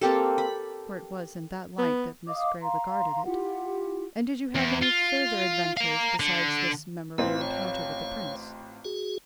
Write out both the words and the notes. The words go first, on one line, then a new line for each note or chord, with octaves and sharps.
For it was in that light that Miss Grey regarded it. "And did you have any farther adventures besides this memorable encounter with the prince?"
A#3 C4 G4 A4
B5
B3
D#5 F5 D6 D#6
F5 A#5 C6
E4 F4 G4 F#5
E2
F4
F5 A#5
D3
A1 C4 E4 F4 B4
C#5 F5
F#4 G#4